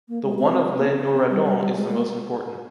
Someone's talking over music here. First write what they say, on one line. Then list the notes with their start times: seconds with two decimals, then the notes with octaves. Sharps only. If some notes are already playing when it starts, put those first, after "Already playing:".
The one of Les Nourradons is the most important.
0.09 A#3
0.23 G#3
0.39 C4
0.78 A#3
0.85 C4
0.99 C#4
1.14 C4
1.30 G3
1.44 G3
1.60 G3
1.76 G#3
1.90 A#3